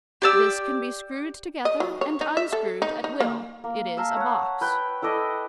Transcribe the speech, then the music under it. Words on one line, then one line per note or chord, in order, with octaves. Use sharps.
This can be screwed together and unscrewed at will; it is a box.
G4 D5 E6
D#5
F#3
C#5
D#4
E5
A4
D#4
D#4
A#3
A#3
E5 F5 A5 A#5
C#5 F#5
B4 G5
E4 A4 D5 D#5